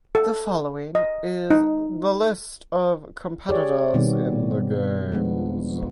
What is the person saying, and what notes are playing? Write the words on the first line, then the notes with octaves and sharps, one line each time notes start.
The following is the list of competitors in the Games.
A4
D#5
D#4
G4 G#4 C#5 D5
B2 D#3 G3 B3 C4
F3 G#3 B3 D4